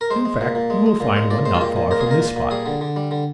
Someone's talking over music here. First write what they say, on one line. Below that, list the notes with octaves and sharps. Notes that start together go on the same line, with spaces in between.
"In fact you'll find one not far from this spot."
A#4
G#3 C5
G#3
A#2
A#2
G#3
G#3
A#2
G#3
A#2 D5
G#3 C5
F4
A#2 G4
A#2
G#3 A#4
G#4
A#2 A#4
A#2
A#2
G3 G#4
D3
D3
G3
D3